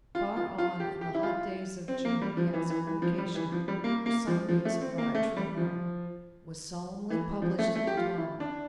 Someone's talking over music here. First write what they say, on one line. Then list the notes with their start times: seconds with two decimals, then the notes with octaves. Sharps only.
Far on in the hot days of June the Excommunication, for some weeks arrived from Rome, was solemnly published in the Duomo.
0.15 F4
0.36 F4
0.58 F4
0.80 G4
1.01 G4
1.15 E4
1.23 F4
1.88 C4
2.05 A#3
2.21 G3
2.37 F3
2.54 E3
2.70 E3
2.87 E3
3.02 F3
3.18 G3
3.35 E3
3.52 F3
3.68 G3
3.84 A#3
4.06 A#3
4.27 F3
4.48 F3
4.65 A3
4.81 C4
4.98 A#3
5.15 A3
5.37 G3
5.57 F3
7.10 E3
7.42 F3
7.59 A3
7.75 A3
7.87 G4
7.97 F4
8.18 E4
8.40 D4